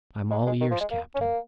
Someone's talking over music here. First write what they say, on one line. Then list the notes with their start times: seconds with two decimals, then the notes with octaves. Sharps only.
"I'm all ears, captain."
0.31 G#3
0.46 G#3
0.61 D#3
0.71 F3
0.81 G#3
0.91 A#3
1.15 C#4
1.21 A#3